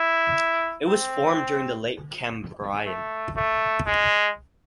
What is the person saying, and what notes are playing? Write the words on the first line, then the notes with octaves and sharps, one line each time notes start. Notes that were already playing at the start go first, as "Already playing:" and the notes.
It was formed during the Late Cambrian.
Already playing: E4
C4
A3
A3
G#3